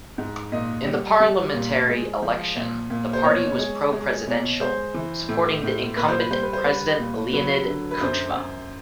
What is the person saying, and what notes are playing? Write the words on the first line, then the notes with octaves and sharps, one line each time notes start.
In the parliamentary election, the party was pro-presidential, supporting the incumbent President Leonid Kuchma.
G#2
A#2 D#5
G3
G3
A#2
G#3
F3
A#2
A#2
C5
B2 C#5
G#3
G#3
B2
G#3 C5
E3
A2
A2
A#2 B4
C5
B4
G3 C5
B4
C5
G3 B4
A#2
F#3 B4
D3
B4
F#2 C5
F#2